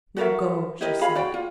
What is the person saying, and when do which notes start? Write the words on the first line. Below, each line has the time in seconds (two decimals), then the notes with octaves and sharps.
"Now go," she said.
0.17 F#4 A4 A#4 E5
0.81 E4 G4 A#4 D#5
1.01 F4 G#4 F5 B5
1.15 F#4 D5 G5
1.34 F4